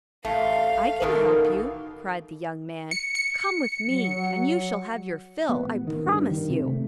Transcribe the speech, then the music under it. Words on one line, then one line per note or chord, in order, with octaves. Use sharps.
"I can help you," cried the young man; "come with me, and you shall have your fill, I promise you."
A1 A3 F5
A1 B2 D#3 E3 D#4 A4 A#4
C#7
C#7
F#3
B3
A1
D#3
G2
D#3
C3
A3